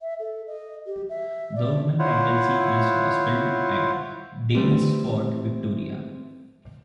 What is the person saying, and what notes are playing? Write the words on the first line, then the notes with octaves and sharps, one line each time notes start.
The opening title sequence was filmed at Daylesford, Victoria.
E5
A4
D#5
G4
E5
D5
E4 F4 C5 C#5 F#5
E3 G3 A3 C4 B4 D5